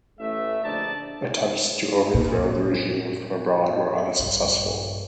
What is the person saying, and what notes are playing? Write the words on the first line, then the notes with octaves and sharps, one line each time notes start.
Attempts to overthrow the regime from abroad were unsuccessful.
A1 A3 E5
A#1 D3 D4 D#4 D5 A5
A#2
A#1 G2